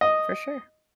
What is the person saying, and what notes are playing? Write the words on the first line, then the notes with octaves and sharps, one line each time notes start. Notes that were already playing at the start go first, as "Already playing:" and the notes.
For sure.
D#5